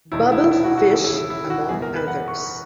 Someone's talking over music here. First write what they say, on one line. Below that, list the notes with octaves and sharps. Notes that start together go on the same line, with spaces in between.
Babel Fish among others.
E1 D#2 D#3 E4
E4
E4
F#4
F#4
D#2 C#3 E3 E4
E4
E4
E4
F#4
F#1 E2 B2 G#4
A#4
B4
F#5
C#6